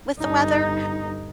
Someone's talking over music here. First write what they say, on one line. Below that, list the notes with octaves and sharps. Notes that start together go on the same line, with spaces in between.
with the weather.
G1 D#4